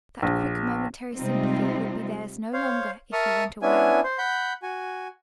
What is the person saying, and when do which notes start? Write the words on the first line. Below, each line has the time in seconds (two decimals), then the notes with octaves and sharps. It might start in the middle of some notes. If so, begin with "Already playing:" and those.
That quick momentary sympathy would be theirs no longer if he went away.
0.22 A#1
1.15 C3 G3 G#3 C4 D#4 F4
2.53 C5 C#5 F5
3.13 A#4 E5 A5 C#6 D#6 F6
3.62 B3 C#4 D4 E4 G#5
4.04 C5
4.18 F#5 B5 G6
4.63 F#4 G#5